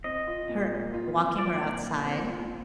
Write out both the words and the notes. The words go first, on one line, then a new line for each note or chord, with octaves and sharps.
her walking her outside,
C4 D#5
F4
A#2
A#2
F4
C4
F4 D5
A#2
A#2
C4
F4